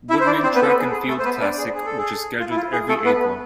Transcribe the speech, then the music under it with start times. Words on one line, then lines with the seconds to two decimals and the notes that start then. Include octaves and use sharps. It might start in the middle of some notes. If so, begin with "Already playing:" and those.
Woodman Track and Field Classic, which is scheduled every April.
0.10 E4 E5
0.21 C5
0.26 D4 D5
0.43 C4 C5
0.55 B3 B4
0.62 A4
0.67 B3 B4
0.79 G#4
0.92 G#4
1.08 A3 A4
1.19 C5
1.24 B3 B4
1.41 D4 D5
1.58 G#4
1.74 G#4
1.85 A4
1.98 G#4
2.40 F4
2.51 E4
2.57 F4
2.72 G#4
2.89 A3 A4
3.05 B3 B4